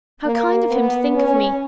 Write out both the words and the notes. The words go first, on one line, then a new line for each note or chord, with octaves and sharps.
'How kind of him to think of me!
A#3
B3
C#4